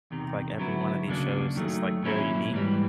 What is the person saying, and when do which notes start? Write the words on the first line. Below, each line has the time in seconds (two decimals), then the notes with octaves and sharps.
to, like, every one of these shows is, like, very unique.
0.11 E2 C3 D#3
0.58 D3 F#3 B3 E4
1.07 D#2 C#3 F#3 A#3 D4
1.56 F#2 D#3 F#3 A3
2.03 A#2 F#3 A#3 C#4 E4
2.51 G#2 E3 G3